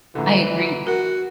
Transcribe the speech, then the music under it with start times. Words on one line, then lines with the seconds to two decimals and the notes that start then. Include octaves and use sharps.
I agree,
0.15 A#1 D3 E3
0.87 F#4 A#4